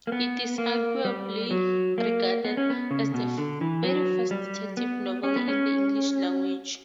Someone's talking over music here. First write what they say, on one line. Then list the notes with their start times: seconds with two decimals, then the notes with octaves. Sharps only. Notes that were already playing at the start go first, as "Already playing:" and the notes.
It is arguably regarded as the very first detective novel in the English language.
0.07 A#3
0.12 B3
0.58 A#3
1.05 G3
1.51 F#3
1.98 A#3
2.45 B3
2.57 C#4
2.70 B3
2.91 C#3
3.14 B2
3.38 D3
3.61 E3
3.84 F#3
4.31 G3
4.77 B3
5.23 C#4
5.36 B3
5.48 C#4